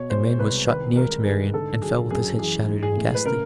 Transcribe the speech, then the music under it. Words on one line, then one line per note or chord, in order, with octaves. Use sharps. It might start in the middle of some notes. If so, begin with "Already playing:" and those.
A man was shot near to Marian, and fell with his head shattered and ghastly.
Already playing: B2 C#5
G#3 C5
C2 B4
D#3 B4
G#3 A#4
G#2 G#4
D3 A4
F#3 G#4
F#2 G#4
E3 G#4
G#3
G#4
A2
B4
C#3 A#4